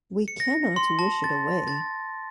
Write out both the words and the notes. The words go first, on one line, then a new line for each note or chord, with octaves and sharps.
We cannot wish it away.
C#7
A#6
C6
A5
A6
A6